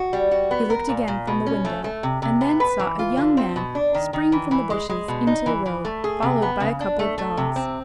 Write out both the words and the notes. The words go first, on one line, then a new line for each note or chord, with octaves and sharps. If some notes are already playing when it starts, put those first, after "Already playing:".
He looked again from the window, and then saw a young man spring from the bushes into the road, followed by a couple of dogs.
Already playing: F#4
G3
F#4
B3
A#4
A#2
A#2
B2
C#4
A3
A3
C3
C3
B3
B4
E3
F4
D3
C4
B2
D4
D#3
D#3
E3
E3
G#3
G#3
B2
D#4
E3
E3
A3
G#4
C3
B3
C#3
D4
A3
A3
C3
C4